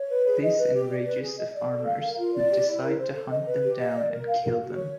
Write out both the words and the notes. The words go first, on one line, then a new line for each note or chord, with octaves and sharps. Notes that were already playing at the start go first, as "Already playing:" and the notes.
This enrages the farmers, who decide to hunt them down and kill them.
Already playing: C#5
B4
G#4
D#5
B4
G4
D5
B4
G#4
D#5
D5
A4
F5
A#4
F4
D5
G4
E4
A#4
C5
A4
D#5
B4
G4
D#5
D5
A#4
F5
A#4
F#4
C#5